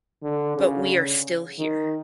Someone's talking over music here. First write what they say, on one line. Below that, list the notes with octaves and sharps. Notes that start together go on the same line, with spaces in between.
But we are still here.
D3
C#3
D#3